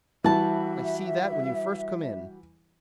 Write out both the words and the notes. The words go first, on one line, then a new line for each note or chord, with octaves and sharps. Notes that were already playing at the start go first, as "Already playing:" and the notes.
I see that when you first come in.
E3 G3 F#4 E5 A5